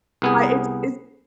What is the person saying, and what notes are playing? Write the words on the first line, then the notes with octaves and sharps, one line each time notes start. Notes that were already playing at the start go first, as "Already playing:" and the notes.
I it's it's
C2 B3 G#4